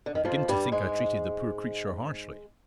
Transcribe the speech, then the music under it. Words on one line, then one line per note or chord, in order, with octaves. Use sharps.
I begin to think I treated the poor creature harshly.
D3
D#3
F2 F3
G2 G3
G#2 G#3